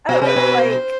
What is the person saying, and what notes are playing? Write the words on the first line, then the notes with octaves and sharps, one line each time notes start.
I don't know, like,
B2
C3 B4
B2
C5